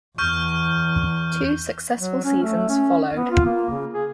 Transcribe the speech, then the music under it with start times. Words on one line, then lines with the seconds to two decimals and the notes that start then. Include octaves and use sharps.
Two successful seasons followed.
0.18 E2 C#6 F6 G6
1.96 F#3
2.24 C#4
2.43 A3
2.69 C#4
3.16 B3
3.31 F4
3.46 A#3
3.69 C#3
3.94 G#4